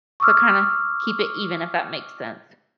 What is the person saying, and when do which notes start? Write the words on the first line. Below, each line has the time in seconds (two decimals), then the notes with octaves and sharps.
So, kinda keep it even if that makes sense.
0.20 C#6 D6 E6 F6